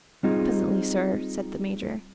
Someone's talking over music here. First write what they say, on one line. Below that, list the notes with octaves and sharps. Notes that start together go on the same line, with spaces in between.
"Presently, sir," said the Major.
G3 C4 D#4 F4 G#4